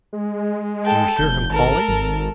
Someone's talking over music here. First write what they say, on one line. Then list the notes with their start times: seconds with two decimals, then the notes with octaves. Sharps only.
Do you hear him calling?
0.13 G#3
0.85 A4 G5
1.19 F1 G6
1.51 G#1 A4 A#4
1.88 G#1